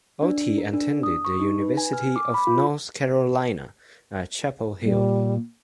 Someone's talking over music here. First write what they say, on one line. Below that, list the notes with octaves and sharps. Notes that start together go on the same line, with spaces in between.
Otey attended the University of North Carolina at Chapel Hill.
D4
A#4
D4
D#6
C#6
D#4
B4
G#5
F6
D6
B5
F4
A#2 G3